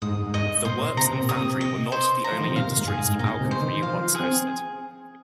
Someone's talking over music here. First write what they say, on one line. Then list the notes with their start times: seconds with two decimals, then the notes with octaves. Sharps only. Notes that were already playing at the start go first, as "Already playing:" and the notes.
The works and the foundry were not the only industries that Auchengree once hosted.
0.02 G#2 D#6
0.27 G#2
0.34 D#5
0.65 A#2 C5
0.81 A#2
0.96 C3 A#5
1.12 C3
1.22 A#2
1.29 C3 D#6
1.61 D#5
1.92 C5
2.24 A#5
2.32 F3
2.40 D#3
2.47 C3
2.55 A#2 F5
2.77 G#2
2.87 G#4
2.98 G#2
3.09 G#2
3.19 A#2 D#4
3.40 C3
3.51 C5
3.62 D#3
3.82 F3 F5
4.15 C4 G#4